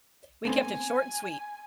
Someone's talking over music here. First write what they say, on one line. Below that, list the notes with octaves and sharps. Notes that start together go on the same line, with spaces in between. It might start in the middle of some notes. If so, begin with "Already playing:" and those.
"H we kept it short and sweet,"
A3 B3 C4 G#5